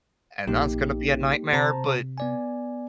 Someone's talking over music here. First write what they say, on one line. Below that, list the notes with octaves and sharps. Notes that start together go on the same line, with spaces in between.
and that's gonna be a nightmare," but
A#1 A#3 D#4 G4
C3 C5 A5 A#5
B3 D5 G#5